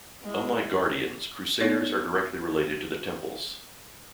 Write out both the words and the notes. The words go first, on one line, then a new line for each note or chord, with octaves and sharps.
Unlike guardians, Crusaders are directly related to the temples.
G#3 E4
B3 D#4 A4 C#5 D5